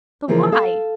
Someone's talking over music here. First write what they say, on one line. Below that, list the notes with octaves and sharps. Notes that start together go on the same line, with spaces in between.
"But why?"
C#3 E3 F3 A#3 G#4
A4 F5